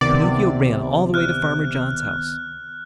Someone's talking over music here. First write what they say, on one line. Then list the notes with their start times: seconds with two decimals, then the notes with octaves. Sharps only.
Pinocchio ran all the way to Farmer John's house.
0.01 C#2 C3 D#3 B3 D5
1.14 F6 F#6